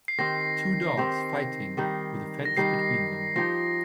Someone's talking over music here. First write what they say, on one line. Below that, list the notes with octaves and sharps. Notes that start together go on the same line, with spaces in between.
Two dogs fighting with a fence between them.
C7
D#3 C4 G4 A#6
D#3 C4 G4
D#3 G3 D#4
A#6
D#3 G3 D#4 C7
F3 D#4 G4 A#6